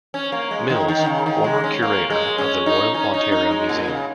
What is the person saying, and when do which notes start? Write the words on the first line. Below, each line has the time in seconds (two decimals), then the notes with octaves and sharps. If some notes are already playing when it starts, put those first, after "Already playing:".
Mills, former curator at the Royal Ontario Museum.
0.14 C#4
0.32 A#3
0.51 G#3
0.69 D#3
0.88 D#3
1.07 C#3
1.26 D#3
1.44 G#3
1.64 C#4
1.82 A#3
2.10 G#3
2.38 C#4
2.66 D#4
2.94 C#4
3.14 D#4
3.32 D#4
3.51 G#3
3.69 A#2
3.88 C#3